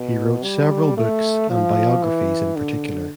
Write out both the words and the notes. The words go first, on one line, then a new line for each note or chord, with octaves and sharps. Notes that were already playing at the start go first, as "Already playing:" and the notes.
He wrote several books and biographies in particular.
Already playing: B2
G3
A3
F3
E3
D3